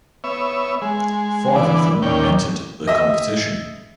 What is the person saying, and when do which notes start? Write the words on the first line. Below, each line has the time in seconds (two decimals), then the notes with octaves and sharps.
Five of them entered the competition.
0.24 B3 C#5 E5
0.82 G#3
1.56 D3 E3 B3 D5
2.02 D#2 A#2 C#4 D5 G5
2.87 D#5 E5